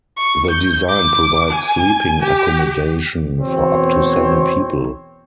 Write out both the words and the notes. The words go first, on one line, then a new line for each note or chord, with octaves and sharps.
The design provides sleeping accommodation for up to seven people.
C#6
G6
D6
G#5
G4
E2 B2 C4 C5 C#5